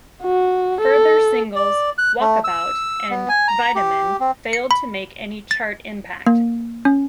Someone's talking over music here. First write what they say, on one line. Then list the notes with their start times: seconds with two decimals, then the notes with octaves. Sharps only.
Further singles "Walkabout" and "Vitamin" failed to make any chart impact.
0.23 F#4
0.81 A4
1.56 D5
1.98 F#6
2.20 A3
2.44 E6
3.11 B3
3.29 G#5
3.48 A#5
3.75 G4
4.20 C4
4.53 C#7
4.71 B5
5.51 A6
6.26 A#3
6.85 C#4